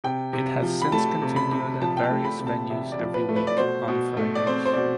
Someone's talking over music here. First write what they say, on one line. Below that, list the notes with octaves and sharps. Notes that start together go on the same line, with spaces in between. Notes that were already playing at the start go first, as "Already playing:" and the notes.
It had since continued at various venues every week on Fridays.
C3 G5
C3
F3
B5
A3 A5
C3
B5
C3
F3 A5
G5
A5
A3
B5
C3
A5
C3 E5
D5
F3
B4
A3
B4
D5
B2 C5
B2
A3
D5
C4 C5
C5
B2 D5